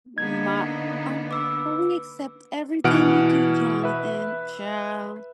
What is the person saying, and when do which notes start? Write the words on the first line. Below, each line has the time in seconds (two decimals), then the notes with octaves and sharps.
My "Oh oh, we accept everything you do, Jonathan." Child,
0.18 D3 A#3 B3 D#4 G#6
1.31 B4 D6 E6
2.84 B2 E3 F#5 F6 D7
3.83 B4 E5